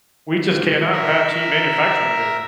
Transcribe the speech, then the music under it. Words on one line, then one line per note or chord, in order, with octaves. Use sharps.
We just cannot have cheap manufacturing here.
A#4 E5